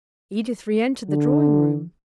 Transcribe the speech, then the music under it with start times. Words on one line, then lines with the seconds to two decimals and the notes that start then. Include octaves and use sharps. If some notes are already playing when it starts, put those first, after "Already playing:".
Edith re-entered the drawing-room.
1.09 D3